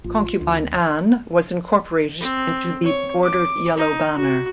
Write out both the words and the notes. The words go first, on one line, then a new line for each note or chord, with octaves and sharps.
Concubine An was incorporated into the Bordered Yellow Banner.
A1 F4
D2
C4
C#5
D6
D#4
F#4